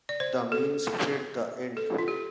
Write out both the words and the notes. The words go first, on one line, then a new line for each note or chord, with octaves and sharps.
The means fit the end.
D5
C5
A4
A4
F4
G4